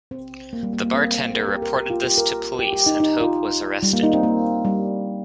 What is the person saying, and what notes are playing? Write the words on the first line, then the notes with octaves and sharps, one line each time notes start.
The bartender reported this to police and Hope was arrested.
C4
A#3
G3
A#3
A#3
C4
A#4
G4
A#4
G4
F4
G4
A#4
G4
G4
D#4
D#4
F4
G3
A#3
D#4
C4
A#3
G3